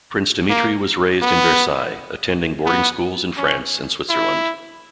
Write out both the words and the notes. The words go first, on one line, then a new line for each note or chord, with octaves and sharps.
Prince Dimitri was raised in Versailles, attending boarding schools in France and Switzerland.
A#3
B3
B3
C#4
E4